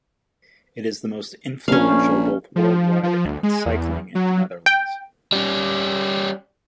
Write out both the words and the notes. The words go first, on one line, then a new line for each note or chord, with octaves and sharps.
It is the most influential both worldwide and on cycling in the Netherlands.
A#1 C#4 F5
F3
F3
D2
G#3
E2
F#3
G5
G3 C#4